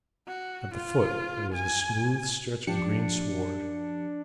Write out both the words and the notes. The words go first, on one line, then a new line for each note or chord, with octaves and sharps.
At the foot there was a smooth stretch of green sward.
F#4
F4
G#5
F3 D4 G4 C#7